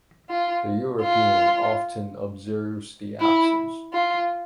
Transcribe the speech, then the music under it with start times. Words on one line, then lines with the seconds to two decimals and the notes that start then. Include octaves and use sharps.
The European often observes the absence.
0.29 F4
1.01 F4
3.20 E4
3.93 F4